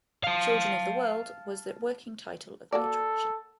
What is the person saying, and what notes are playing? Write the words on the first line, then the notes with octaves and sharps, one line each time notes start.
"Children of the World" was the working title of the attraction.
F5 A5
A#3 F#4 A4 D5